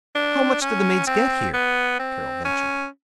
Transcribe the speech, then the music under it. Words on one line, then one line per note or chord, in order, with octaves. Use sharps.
"How much do the maids get here?" Carol ventured.
D4
C#4
C4
B3
C4
C#4